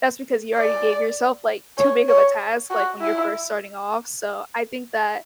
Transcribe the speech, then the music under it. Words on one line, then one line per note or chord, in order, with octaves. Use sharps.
that's because you already gave yourself, like, too big of a task, like, when you're first starting off. So I think that,
D5
C#5
C#5
F#4
E4